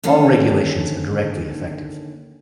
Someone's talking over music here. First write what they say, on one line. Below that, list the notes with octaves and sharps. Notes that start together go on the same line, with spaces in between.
All regulations are directly effective.
D3 D#3 A#3 C#4 A4